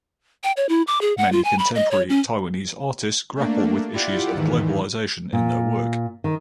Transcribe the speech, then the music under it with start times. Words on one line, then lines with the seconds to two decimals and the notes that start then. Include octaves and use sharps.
Many contemporary Taiwanese artists grapple with issues of globalization in their work.
0.44 G5
0.57 C#5
0.69 E4
0.87 D6
1.01 G#4
1.17 F#5
1.32 F4
1.45 G#5
1.59 B5
1.75 D#5
1.91 C#5
2.09 C#4
3.36 A3 A#3 D4
3.93 E4 F4 G4 D5 F#5
4.34 E2 G#2 D#3 E3
5.33 A#2
6.24 D#3